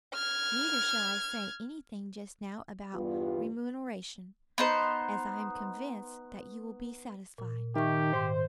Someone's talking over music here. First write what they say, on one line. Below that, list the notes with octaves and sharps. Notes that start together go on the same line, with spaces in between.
Neither shall I say any thing just now about remuneration, as I am convinced that you will be satisfied.
F6 G#6
E2 G2 G3 B3 F4
B3 D#4 C5
A#2
D#3 G4 E5 C#6
G#2 D#3 C5